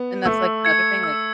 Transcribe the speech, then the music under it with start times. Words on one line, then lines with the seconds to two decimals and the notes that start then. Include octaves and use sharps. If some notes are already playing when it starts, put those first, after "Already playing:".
And that's, like, another thing, like,
Already playing: B3
0.25 A3 E6
0.65 G#6 C#7
1.03 E6